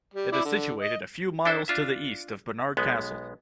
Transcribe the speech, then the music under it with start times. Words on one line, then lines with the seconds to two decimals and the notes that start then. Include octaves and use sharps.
It is situated a few miles to the east of Barnard Castle.
0.14 G3
0.32 E4 D5
0.45 D3
0.80 D#5
1.45 D4 E4 A4 C5
1.68 D4 F4 E5
2.77 B1 G#3 B3